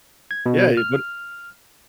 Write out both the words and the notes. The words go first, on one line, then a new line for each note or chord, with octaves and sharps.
Yeah, you'd but
G#6
B2
F6